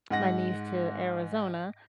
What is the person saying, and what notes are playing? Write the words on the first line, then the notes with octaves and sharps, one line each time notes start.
my niece to Arizona,
G#2 F#5 A#6